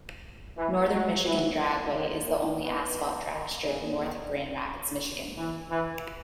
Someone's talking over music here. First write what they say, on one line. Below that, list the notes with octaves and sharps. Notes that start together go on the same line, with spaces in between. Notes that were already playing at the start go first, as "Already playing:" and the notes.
Northern Michigan Dragway is the only asphalt dragstrip north of Grand Rapids, Michigan.
E3
F#3
E3
D#3
A#2
B2
D#3
C#3
D#3
E3
E3